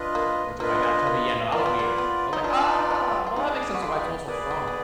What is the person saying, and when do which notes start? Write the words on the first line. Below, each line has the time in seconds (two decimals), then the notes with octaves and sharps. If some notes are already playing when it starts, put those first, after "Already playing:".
until my dad told me, "Yeah, no, that was beer." I was like, "Ah, well, that makes sense to why it smells so strong."
Already playing: D4 F4 B4 D#5
0.15 A#3
0.60 A#3 D4 F4 B4 D#5
0.75 B3
0.83 A#3
1.07 A#3
1.52 A#3 F4 B4 D5
1.66 B3
1.79 A#3
1.98 B3
2.33 D#4
2.44 D4 F4 B4 D5
2.91 D#4
3.26 F4
3.36 D#4 G#4 B4 D5
3.75 F#4
3.82 F4
4.05 B3
4.28 A#3 G#4 B4 D5
4.51 G#3
4.67 B3